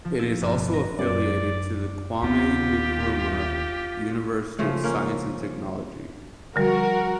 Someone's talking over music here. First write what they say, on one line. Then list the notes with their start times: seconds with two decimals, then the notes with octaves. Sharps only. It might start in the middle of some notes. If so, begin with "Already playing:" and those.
It is also affiliated to the Kwame Nkrumah University of Science and Technology.
0.05 F3
0.20 E6
0.42 G1
0.55 B2
0.73 A#5
0.99 F#2 D5
2.22 D#2 B3 F4 G4
4.59 C#3 F3 A3
4.84 A#3 C#4
6.56 D3 F3 G3 F#4 A#4